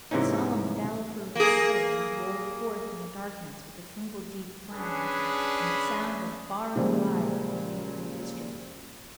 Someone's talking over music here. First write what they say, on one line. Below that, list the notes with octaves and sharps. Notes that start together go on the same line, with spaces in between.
The solemn bell for retiring rolled forth in the darkness with a single deep clang, and the sound went far and wide over the neighbouring district.
G#2 C3 E3 A#3 C#4 D#4
A#3 G#4
C#4 D4 G#4 B4
A#2 C#3 F3 G3 G#3